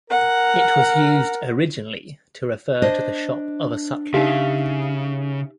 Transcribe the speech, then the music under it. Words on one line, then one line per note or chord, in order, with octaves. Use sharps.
It was used originally to refer to the shop of a sutler.
A#4 F#5
D4 C5 D#5
C#3 D#4 G4 E5 F5